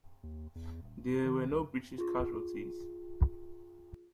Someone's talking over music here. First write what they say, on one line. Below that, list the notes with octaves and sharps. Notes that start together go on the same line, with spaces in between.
There were no British casualties.
D#2
E2
D#1
D#1
D#3
C2
F4 G#4